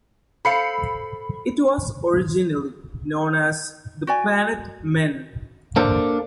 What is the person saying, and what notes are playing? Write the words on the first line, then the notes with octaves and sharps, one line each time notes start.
It was originally known as "The Planet Men".
A4 C5 F5 B5 C7 C#7
F#4 D5 G#5
A#3 D4 A4 C5